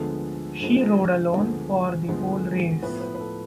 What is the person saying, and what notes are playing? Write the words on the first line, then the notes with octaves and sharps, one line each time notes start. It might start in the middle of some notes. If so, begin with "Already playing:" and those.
She rode alone for the whole race.
Already playing: D2 D3 F3 G#3 B3 A4
D2 D3 F3 G#3 B3
D2 D3 F3 G#3 B3
D2 D3 F3 G#3 B3
A2 F3 B3 B4
B4
B4
A4